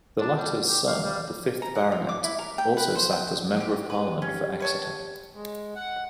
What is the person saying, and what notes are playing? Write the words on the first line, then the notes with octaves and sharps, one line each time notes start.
The latter's son, the fifth Baronet, also sat as Member of Parliament for Exeter.
D4
G3
G4
F5
G3
A#5
F#5
F4
D6
E4
A#4
G5
B4
C5
G5
C4 G4
G4 B4
C#4
B4 C#5 A5
G#3
F#5